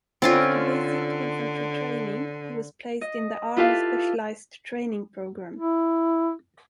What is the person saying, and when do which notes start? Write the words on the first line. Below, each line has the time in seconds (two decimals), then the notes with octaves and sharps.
After basic infantry training, he was placed in the Army Specialized Training Program.
0.22 D3 C4 C#4 F4
3.01 D#5
3.57 E4 F4 G4 A4 B4 F5
5.56 E4